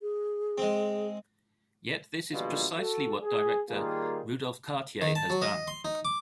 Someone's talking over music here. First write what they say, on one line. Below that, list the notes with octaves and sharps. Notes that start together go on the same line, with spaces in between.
Yet this is precisely what director Rudolph Cartier has done.
G#4
G#3 C4
A#1 B2 D3 E3 G3 F4
F#4 A4
G#4
D#3 G3 A#3 F4 G#4
D#3
A5
F#3
D#5
C6
D#4
D6